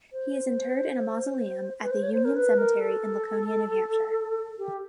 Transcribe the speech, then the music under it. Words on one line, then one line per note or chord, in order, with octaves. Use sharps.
He is interred in a mausoleum at the Union Cemetery in Laconia, New Hampshire.
C5
B4
C5
C#5
C5
A#4
B4
A#4
A4
G4